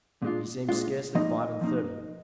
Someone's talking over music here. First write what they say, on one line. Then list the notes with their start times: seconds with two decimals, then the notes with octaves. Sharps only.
He seemed scarcely five and thirty.
0.22 A#2 G#3 D4 F4
0.69 A#2 G#3 D4 F4
1.15 F3 A#3 D#4 D#5
1.61 F3 A#3 D#4